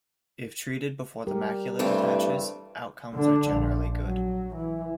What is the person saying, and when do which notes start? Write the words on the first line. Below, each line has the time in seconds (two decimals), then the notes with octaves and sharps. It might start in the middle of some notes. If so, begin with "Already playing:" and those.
If treated before the macula detaches outcomes are generally good.
1.27 G3 G4 A#4
1.79 G2 E3 A3 C4
3.14 D3 D4
3.51 A#1
4.02 F#3
4.55 E3